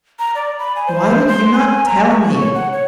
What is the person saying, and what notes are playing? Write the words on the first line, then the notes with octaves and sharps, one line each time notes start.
"Why did you not tell me?"
A#5
D5
B5
G#5
C5
C6
G#5
A#5
C#6
C#5
F#5
C#5